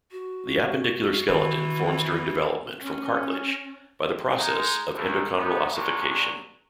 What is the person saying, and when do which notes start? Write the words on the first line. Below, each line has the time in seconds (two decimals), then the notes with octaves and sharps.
The appendicular skeleton forms during development from cartilage, by the process of endochondral ossification.
0.12 F#4
1.29 D#3 E3
2.82 C#4
4.38 G#3 D#4
4.95 D#2
5.37 C3 B3 D#4
5.72 G2 A#2 F#3 G#3